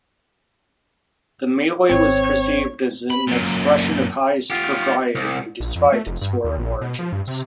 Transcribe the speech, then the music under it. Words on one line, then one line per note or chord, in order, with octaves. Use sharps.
The mili was perceived as an expression of highest propriety despite its foreign origins.
G#1 C4 C#5
B5
F#2 A#2
F4 G4
C2
A#1
F2
A3
F1
G2
D#2
A#1
B2
F3
G2
C3